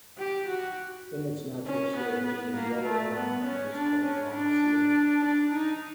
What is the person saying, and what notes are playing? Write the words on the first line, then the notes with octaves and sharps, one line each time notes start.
In its natural state, it is yellow-brown and is called raw sienna.
G4
F#4
C#4
B3
B3
A#3
A3
B3
C#4
D4
C#4
D4
D4
D#4